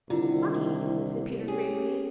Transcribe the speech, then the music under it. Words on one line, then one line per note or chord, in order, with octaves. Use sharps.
"Funny!" said Peter gravely.
C2 D3 D#3 E4 F4
C#4 G4 G#4